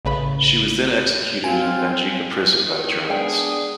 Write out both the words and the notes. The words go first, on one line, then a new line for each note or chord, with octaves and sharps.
She was then executed in Banjica prison by the Germans.
A1 C#3 B4 B5
C4 F4 G#5
D#3
G#3 B3 D4 G#4 G5